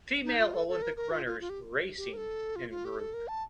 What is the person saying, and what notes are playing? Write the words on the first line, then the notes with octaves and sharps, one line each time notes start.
Female Olympic runners racing in group.
D#4
F4
A4
A4
A#4
A#4
F4
F4
F4
G4
G4
A#4
A4
F4
F4
G4
A4
A#4
A5